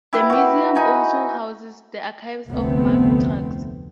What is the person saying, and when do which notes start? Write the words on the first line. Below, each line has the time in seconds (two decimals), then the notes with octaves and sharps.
The museum also houses the archives of Mack Trucks.
0.13 E4 G4 B4
0.30 F#4 G4
0.75 D#4 G#5 B5
2.49 F1 D2 A3 B3 C4